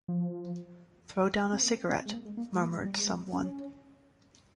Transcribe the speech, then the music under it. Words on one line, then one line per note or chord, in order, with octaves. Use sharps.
"Throw down a cigarette," murmured some one.
F3
C4
A#3
C4
C4
G#3
A#3
G#3
A#3
G#3
A#3
G#3
G3
G#3
C#4